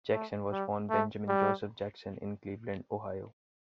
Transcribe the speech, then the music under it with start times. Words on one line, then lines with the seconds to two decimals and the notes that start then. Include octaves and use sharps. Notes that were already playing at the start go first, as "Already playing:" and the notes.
Jackson was born Benjamin Joseph Jackson in Cleveland, Ohio.
0.13 A3
0.52 G3
0.90 A3
1.29 G3